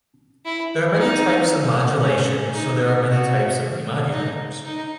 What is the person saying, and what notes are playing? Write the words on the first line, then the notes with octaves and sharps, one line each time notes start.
There are many types of modulation so there are many types of demodulators.
E4
D#4
C#4
D#4
F#4
D#4
D#4